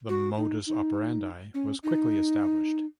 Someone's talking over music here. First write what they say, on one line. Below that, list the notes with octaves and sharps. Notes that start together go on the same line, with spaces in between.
The modus operandi was quickly established.
F#4
D#4
D#4
C#4
D#4